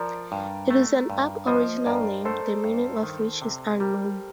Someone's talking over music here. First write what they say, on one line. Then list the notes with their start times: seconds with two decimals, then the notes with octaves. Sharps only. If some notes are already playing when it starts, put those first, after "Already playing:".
It is an Aboriginal name, the meaning of which is unknown.
Already playing: F3 A#4 D5
0.32 G2
0.70 A3
1.10 G2
1.47 F3 C5 D#5
1.77 D#5
1.86 G2 A#4 D5
2.25 A3 A4 C5
2.64 G2
3.03 D#3
3.42 C3
3.80 G3 G4 A#4